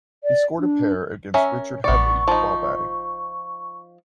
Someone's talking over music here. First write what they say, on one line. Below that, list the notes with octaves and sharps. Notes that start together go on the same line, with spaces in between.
He scored a pair against Richard Hadlee while batting.
D5
D4
C#4 A#4 E5
A1 B3 D5 C#6 C#7
F3 D#4